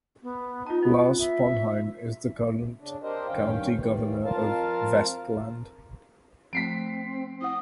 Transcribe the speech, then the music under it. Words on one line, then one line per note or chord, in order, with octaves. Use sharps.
Lars Sponheim is the current County Governor of Vestland.
B3
D#4 F4 A5
B3 D#4
E5
C#3 D4
C4 D4 G4 A#4 C5 D#5
G2 D#3 C#4 F5 G5
A2 D#3 E3 G3
F2 F4 A#4 F5 A5
F3 A3 C4 B6 C7 D7
E4 F#5 D#6